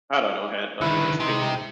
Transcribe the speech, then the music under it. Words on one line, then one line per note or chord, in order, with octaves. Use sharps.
I don't know, had, I mean, I was paying
D3 D#3 E4 B4
D#4 G4 C5